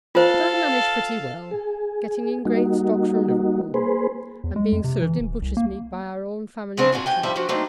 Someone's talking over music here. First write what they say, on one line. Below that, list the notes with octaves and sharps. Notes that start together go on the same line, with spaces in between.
But I manage pretty well, getting in great stocks from Liverpool, and being served in butcher's meat by our own family butcher.
F4 A4 C5 F5
G#4
G3 A#3 D#4 F#4
A#3 G#4 B4 C5
E2
G#3
F2
C3
E3
D1
C2
A#3
C#3 B3 C4 D4
A#2 D4 F#4 G#5
G2 G5 G#5
F3 G3 E4 E5 A5
F3 D4 F#4
F#3 A3 A#3 C4 D4 D#4